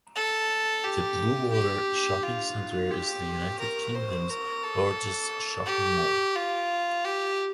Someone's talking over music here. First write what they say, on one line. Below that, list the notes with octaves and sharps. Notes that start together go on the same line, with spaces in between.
The Bluewater shopping centre is the United Kingdom's largest shopping mall.
A4
G4
G4
F4
G4
A#4
C5
A#4
A4
G4
F4
G4